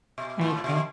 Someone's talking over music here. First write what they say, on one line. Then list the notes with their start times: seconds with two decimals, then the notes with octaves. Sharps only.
I agree.
0.18 B2
0.41 A2
0.64 B2